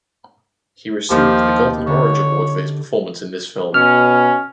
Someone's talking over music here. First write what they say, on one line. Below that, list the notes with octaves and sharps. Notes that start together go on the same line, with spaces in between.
He received the Golden Orange award for his performance in this film.
D#2 F3 G4
D3 C#5
B2 C#4 F6